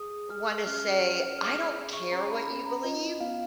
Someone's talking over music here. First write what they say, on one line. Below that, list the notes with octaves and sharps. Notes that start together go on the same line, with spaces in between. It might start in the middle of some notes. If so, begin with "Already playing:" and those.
wanna say, "I don't care what you believe."
Already playing: G#4 D#6
G#4 F6
C#4 F6
C#4 F6
G#4 F6
G#4
C#6
C#4 A#5
B5
C#4 B5
A#5
F4 D#5
B3 F5